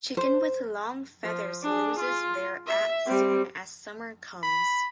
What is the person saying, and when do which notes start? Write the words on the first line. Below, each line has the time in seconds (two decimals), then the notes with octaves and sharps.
Chicken with long feathers loses their at soon as summer comes.
0.17 C5
1.24 F3
1.62 D4 G#4
1.99 F4
2.67 E5
3.06 G3 C4
4.43 B5